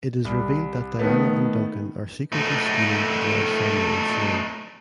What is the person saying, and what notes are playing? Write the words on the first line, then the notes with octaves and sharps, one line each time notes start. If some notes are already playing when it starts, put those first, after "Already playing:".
It is revealed that Diana and Duncan are secretly scheming to drive Sonia insane.
C2
D#3 A3 B3
A3 D#4